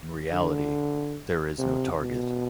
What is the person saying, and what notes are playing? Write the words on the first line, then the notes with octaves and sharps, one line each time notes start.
In reality, there is no target.
D3
C3
B2